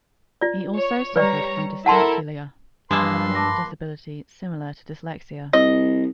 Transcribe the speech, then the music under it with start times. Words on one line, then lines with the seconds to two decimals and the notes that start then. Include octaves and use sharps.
He also suffered from dyscalculia, a learning disability similar to dyslexia.
0.41 F4 D5
0.76 C#5
1.16 G3 B4 C#5 D5 A#5
1.86 E4 A4 A#4 F#5 A5 C6
2.91 G2 F3 G#3 A#3 B4 G#5 C6 E6
3.35 A5 D6 A#6
5.53 C2 D#5